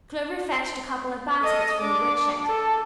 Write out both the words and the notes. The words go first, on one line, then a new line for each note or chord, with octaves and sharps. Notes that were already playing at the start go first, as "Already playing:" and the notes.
Clover fetched a couple of baskets from the wood-shed.
A4 D#5
D4 D6
A4 A5